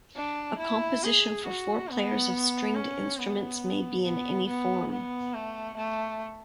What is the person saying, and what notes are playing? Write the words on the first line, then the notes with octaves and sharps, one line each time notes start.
A composition for four players of stringed instruments may be in any form.
D4
E4
G#4
F#4
B3
C#4
B3
B3
B3
B3
A3
A3